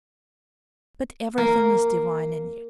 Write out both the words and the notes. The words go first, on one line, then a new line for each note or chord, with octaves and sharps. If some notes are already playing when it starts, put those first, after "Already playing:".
But everything is divine in you....
A#3